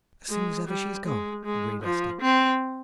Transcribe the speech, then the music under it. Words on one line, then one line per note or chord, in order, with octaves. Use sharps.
"As soon as ever she's gone," agreed Esther.
G#3
G3
G#3
G#3
F3
C4